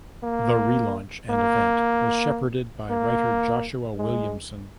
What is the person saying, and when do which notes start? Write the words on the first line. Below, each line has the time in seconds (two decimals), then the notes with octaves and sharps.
The relaunch and event was shepherded by writer Joshua Williamson.
0.23 A#3
1.30 A#3
2.90 A#3
3.98 G#3